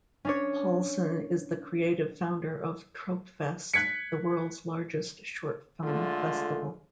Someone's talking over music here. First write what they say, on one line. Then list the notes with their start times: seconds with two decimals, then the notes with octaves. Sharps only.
Polson is the creative founder of Tropfest, the world's largest short film festival.
0.25 C#4 D4 C#5
3.74 F#6 G#6 B6 C#7
5.83 D3 G#3 A3 F4